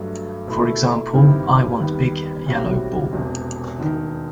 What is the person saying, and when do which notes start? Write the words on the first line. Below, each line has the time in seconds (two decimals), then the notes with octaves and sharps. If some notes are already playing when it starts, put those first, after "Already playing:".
For example, I want big yellow ball.
Already playing: G2 F#3 A3
0.47 B2 A3 E4
1.14 G2 D#3 G3 C4 E4
1.80 D#2 D#3 G3 B3
2.46 B1 A2 G3 C4 F#4
3.13 E1 E2 C3
3.80 E1 D#2 D#3